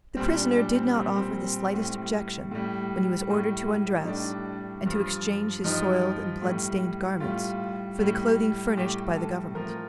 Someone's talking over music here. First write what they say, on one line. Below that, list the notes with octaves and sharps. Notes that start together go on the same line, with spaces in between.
The prisoner did not offer the slightest objection when he was ordered to undress, and to exchange his soiled and bloodstained garments for the clothing furnished by the Government.
A#2 G3 C4
D4
D4
C4
A#2 G3 C4
A#3
C4
A2 G3
A2 G3
A2 G3
D#4
A2 G3 D4
G2 F3
G2 F3 D#4
A2 G3
A2 G3 F4
A2 G3
A2 G3 G4
A4
A2 F3 A#4